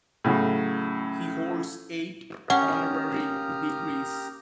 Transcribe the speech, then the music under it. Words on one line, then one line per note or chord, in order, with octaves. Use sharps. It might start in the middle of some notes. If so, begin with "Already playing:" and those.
He holds eight honorary degrees.
A2 C#3 F#3
A#3 C#4 G4 F#5 A#5 D#6 F6